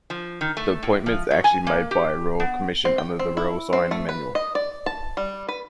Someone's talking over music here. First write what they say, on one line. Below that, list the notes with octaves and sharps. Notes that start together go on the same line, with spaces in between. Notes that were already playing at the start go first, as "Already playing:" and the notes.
The appointment is actually made by a Royal Commission under the royal sign-manual.
F3
D#3
A3
A2
F3
F#3
G#5
A#3
G4
B3
C4
G5
C4
E4
C4
A3
B4
D#5
D5
A5
G3
B4